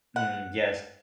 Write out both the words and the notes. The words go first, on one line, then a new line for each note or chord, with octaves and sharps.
Mm, yes.
F#5